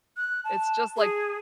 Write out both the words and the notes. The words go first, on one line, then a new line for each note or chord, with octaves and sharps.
it's just like,
F#6
A5
G#4